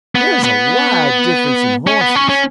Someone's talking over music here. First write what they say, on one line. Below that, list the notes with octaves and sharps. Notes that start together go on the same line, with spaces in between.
There is a wide difference in horses.
B3
B3
C#4
B3
C#4
C#4